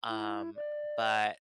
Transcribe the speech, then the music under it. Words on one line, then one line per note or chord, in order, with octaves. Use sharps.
um, but
E4
D5